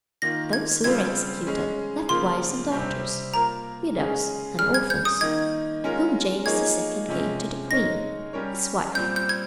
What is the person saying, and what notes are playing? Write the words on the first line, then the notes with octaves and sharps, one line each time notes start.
Those who were executed left wives and daughters, widows and orphans, whom James II. gave to the queen, his wife.
D#3 A#3 F4 A#6
G#6
C#3 G3 C4 F4 C5 G#6
G#3 C#4 G#4
C#3 F3 A#3 F4 C6
C3 G3 C4 G4
A#3 F4 A#4 A#5
C#3 G#3 C#4 G#4
G3 C#4 G#4 F6
G#6
G6
D#6
D#3 A#3 D#4 G#6
G#3 C#4 F4 A#4
F3 A#3 D#4 G#4 C#5 G#6
C3 F3 G#3 C#4
G#3 D#4 A#4 C#5 A#6
G3 C#4 G4 A#4 C#5
A#2 G3 C4 G6
G6
G#6